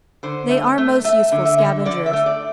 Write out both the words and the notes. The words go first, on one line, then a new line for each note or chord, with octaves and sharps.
They are most useful scavengers.
D3 C5
A3
A3
A3 E5
D3
E5
D3
D3 D5
E5
A3
D5